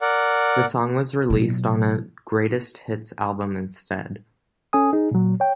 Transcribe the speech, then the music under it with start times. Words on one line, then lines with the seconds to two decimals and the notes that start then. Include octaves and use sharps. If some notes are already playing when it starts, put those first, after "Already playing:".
The song was released on a greatest hits album instead.
0.01 A#4 D5 F#5
1.30 B2 F#3
4.73 C#4 A4 G#5 D#6
4.93 D#4 G#4
5.11 A#2 F#3
5.40 C#5 G5